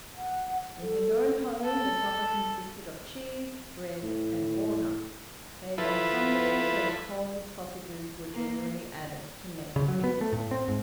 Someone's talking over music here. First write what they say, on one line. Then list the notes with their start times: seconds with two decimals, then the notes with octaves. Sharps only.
In his own home the supper consisted of cheese, bread, and water, save on Sundays, when cold sausages were generally added, to make a feast.
0.16 F#5
0.81 A4
1.65 A4
4.03 A2
5.78 F3 E4 A4 B4
8.32 A#3
9.76 C#3
9.88 F#3
10.04 B3
10.21 A3
10.32 A2
10.51 C4
10.68 G#2